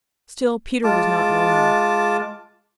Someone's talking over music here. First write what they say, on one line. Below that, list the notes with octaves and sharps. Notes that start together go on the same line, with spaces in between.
Still Peter was not lonely.
G#3 F4 A5 D6